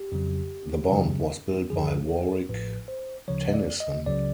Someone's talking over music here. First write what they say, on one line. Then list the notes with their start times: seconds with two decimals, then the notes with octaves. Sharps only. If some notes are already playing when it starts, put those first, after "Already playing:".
The bomb was built by Warrick Tennyson.
Already playing: G4
0.12 F2 C#3 F#3
0.90 F#2 C#3 F#3
1.70 F#2 D3 F3 G#4
2.09 A4
2.49 A1 A2 F3 B4
2.88 C5
3.28 D2 C#3 F3 C#5
3.48 D#5
3.54 D5
3.80 D#5
4.06 C#2 C#3 F#3 D5